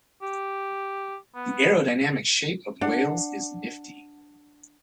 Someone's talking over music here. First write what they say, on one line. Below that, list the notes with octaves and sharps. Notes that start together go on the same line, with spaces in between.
The aerodynamic shape of whales is nifty.
G4
B3
D4 F#5